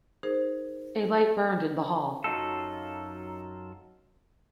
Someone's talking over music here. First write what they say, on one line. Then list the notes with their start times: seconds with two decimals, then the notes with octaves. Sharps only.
A light burned in the hall.
0.23 D#4 G#4 A#4 C5
2.24 F#2 F#3 D#4 F4 A4